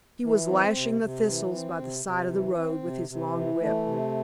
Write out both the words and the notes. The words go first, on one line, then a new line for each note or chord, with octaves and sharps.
He was lashing the thistles by the side of the road with his long whip.
E3
C4
C3
C3
E3
C4
C3
C3
E3
C4
C3
C3
E3
A3
C3